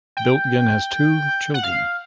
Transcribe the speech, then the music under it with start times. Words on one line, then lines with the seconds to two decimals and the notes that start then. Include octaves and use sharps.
Biltgen has two children.
0.17 G5
1.54 F#5
1.63 F5